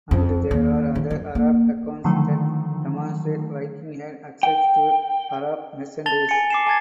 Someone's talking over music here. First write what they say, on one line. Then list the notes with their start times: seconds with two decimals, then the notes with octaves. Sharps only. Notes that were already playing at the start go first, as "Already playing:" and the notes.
And there are other Arab accounts that demonstrate Vikings had access to Arab merchandise.
0.11 F2
0.51 D#2
0.95 D#3
1.11 F#2
1.35 A#3
2.04 D3 D#3 F3 F#3 A3
4.43 G5
6.06 A5 A6 F7 G7
6.29 G#5 C#7
6.50 D6 C7 E7
6.67 G#5 A5 G#6 A6